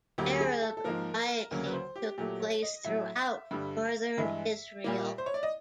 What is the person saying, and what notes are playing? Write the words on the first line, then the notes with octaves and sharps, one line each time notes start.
Arab rioting took place throughout northern Israel.
D2 D3 F#3 A#3 G4
G#4
A4
A4
G#2 F3 A#3 A#4
D2 C#3 F#3 A#3 A#4
B4
C5
G4
A#2 F#3 A3 G4
C#5
D#5
A2 F#3 A3 E5
G2 D3 G3
G2 E3 G#3 E5
A#2 G3 A#3
C5
C#5
D5
D#5